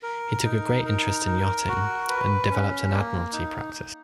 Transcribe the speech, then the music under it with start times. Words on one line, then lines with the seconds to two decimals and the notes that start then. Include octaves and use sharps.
He took a great interest in yachting and developed an Admiralty practice.
0.03 A#4
0.44 D#4
0.85 A#4
1.26 A#4
1.69 F#4
2.09 B4
2.51 C#4
2.92 A#3
3.33 D#4